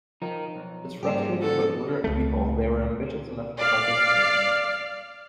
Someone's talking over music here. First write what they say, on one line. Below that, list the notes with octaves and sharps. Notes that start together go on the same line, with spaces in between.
As frustrated but literate people, they were ambitious enough to participate in it.
F3 D#4 A#4
B1
G#2 G3 A#3 C#4 G4 G#4 C5
F2 F#4 A4
C#2 A3
D5 F5 F6 C7